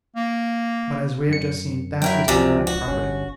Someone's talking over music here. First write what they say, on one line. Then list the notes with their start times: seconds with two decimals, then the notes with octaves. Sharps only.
But, as we have just seen, that is to limit property.
0.16 A#3
1.29 F#2 C#7
2.02 F#3 E4 A#4 G5
2.28 C#2 F#2 C3 F3 D5
2.67 F#4
2.88 G1 C#4